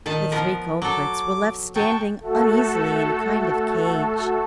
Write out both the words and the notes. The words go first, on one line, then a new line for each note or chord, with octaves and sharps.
The three culprits were left standing uneasily in a kind of cage.
A#2 D#3 A5
F3 B3 A#4
F#3 A4 D6
F#3 G5 A5 C#6
A3 F#4 A4